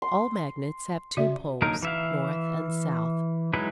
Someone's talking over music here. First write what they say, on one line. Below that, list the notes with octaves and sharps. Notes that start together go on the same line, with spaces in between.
All magnets have two poles, north and south.
C6
C#3 F#4 D5 E5
D3 F#3 A#3 D#4 A#4
E3 E5 F5
F#3 G#3 D#4 E4 B4